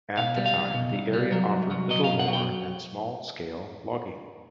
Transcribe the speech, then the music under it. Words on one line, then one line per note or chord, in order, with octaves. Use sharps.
At the time, the area offered little more than small-scale logging.
B2 F5
G3
F5
C2
B2
C2
G3
F#3
C2
F#3
F#3 D#5
B2 F5
F#5
F#3
G5